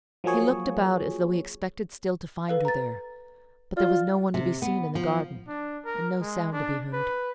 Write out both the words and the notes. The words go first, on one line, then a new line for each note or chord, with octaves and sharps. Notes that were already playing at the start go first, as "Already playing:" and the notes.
He looked about as though he expected still to find her there; but there was no one to be seen in the garden, and no sound to be heard.
F3 F#3 A#3 G#4 C#5
A4 B4 F5
A#5 A6
F4 D5
C3
B3
F3
D4
A#4
G#3
D4
B4